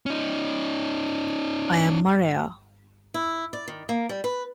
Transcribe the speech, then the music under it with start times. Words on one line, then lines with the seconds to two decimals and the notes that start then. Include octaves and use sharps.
I Am Mariah...
0.06 C#4 D#4
3.14 E4
3.53 D5
3.68 D#3
3.89 A#3
4.09 G3
4.24 B4